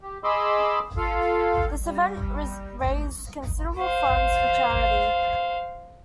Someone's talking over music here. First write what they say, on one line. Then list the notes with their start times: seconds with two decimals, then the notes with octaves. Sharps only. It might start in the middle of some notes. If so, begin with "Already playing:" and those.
This event raised considerable funds for charity.
0.01 G4
0.24 G#4 D#5 B5 C6 D6 E6
0.97 F4 A4 F5
1.84 G3
3.79 C5 F5